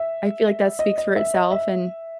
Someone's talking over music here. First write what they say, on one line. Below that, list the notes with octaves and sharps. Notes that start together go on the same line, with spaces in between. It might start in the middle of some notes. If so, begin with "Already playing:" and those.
I feel like that speaks for itself, and
Already playing: E5
D#5
D#5
E5
D#5
E5